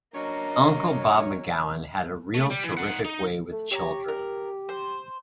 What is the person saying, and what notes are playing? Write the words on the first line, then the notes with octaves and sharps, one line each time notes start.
'Uncle' Bob McGowan had a real terrific way with children.
F#3 A#3 C#4 D4 C#5 D#5
A3
G3
E3
A4 F#5
D#4 F#5
D#4
A3
G4 C#5 E5 A#5
A#4
C5